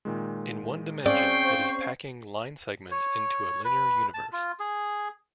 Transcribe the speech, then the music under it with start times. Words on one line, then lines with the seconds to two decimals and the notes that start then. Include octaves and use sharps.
In one dimension it is packing line segments into a linear universe.
0.05 A#2 D#3 G#3
1.06 C4 C#4 G#4 C5 D5 F5 G5 C#6
2.91 C#5
3.64 B4
4.14 A5
4.33 F4
4.60 G#4